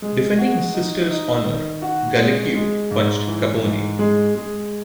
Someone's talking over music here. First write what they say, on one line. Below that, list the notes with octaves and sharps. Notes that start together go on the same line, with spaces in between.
Defending his sister's honor, Gallucio punched Capone.
G#3
F#4
D#4
D#4
D#3
F#4
G#3
G#3
G#2
E3
G#2
G#3
G#3